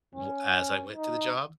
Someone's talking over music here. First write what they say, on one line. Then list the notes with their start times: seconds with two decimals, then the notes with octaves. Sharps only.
w as I went to the job.
0.15 C#4
0.95 D#4